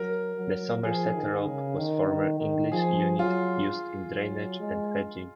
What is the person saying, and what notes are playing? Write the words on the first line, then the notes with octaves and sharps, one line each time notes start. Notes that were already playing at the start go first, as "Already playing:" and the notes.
The Somerset rope was a former English unit used in drainage and hedging.
Already playing: F#3 A#4
F#3
F3 G#4
D#3
C#3
D#3
D#3
D#3
F3 G#4
F#3 F4
F#3
G#3